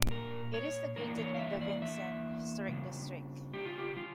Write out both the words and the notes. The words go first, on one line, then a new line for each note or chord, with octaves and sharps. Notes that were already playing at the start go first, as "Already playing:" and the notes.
It is located in the Vincennes Historic District.
Already playing: A#2 G3 D4
A#4
C#5
E2 E3 A#3 D4 A#4
C#5
F5
E5
D5
E5
C#3 G3 D4
G4
F4
G4
F4